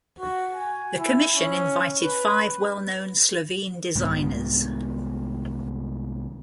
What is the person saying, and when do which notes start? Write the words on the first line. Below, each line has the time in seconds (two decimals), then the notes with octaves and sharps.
The commission invited five well-known Slovene designers.
0.20 F#4
0.54 G#5
0.98 E4
1.38 C#4
2.03 B4
3.95 C2 G#2 D#3 B3